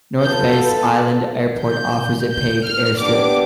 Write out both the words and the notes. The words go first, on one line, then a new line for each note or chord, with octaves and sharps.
North Bass Island Airport offers a paved airstrip.
B3 F4 A4 G6
G6
G6
F6
B3 D4 G4 D6